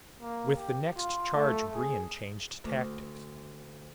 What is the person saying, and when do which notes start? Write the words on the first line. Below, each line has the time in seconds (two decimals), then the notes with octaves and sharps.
With the next charge Brion changed tactics.
0.22 A#3
0.56 G4
0.97 F4
1.34 A3
1.74 G#4
2.64 D2